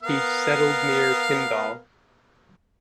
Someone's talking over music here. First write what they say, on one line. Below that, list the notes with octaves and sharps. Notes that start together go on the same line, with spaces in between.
He settled near Tyndall.
B3 A#4 F5